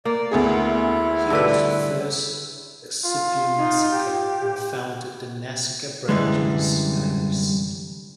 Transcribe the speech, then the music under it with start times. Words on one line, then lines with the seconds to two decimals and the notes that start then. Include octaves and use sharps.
He was the first Scipio Nasica and founded the Nasica branch of the Scipiades.
0.05 A#3 D5
0.31 D2 B3 E4 G#4
1.30 G2 D3 B4
3.05 F4
3.57 D#4
3.90 G4
6.09 C2 F#2 D3 E3 G3 G#3